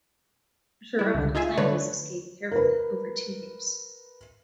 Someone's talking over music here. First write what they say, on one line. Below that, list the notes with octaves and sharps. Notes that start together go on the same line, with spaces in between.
Giraud planned his escape carefully over two years.
G3 E4
C#2 D3
D#4 F4 G#4 E5 G#5
D3 A3 B4 C#5 D5
A#4 B4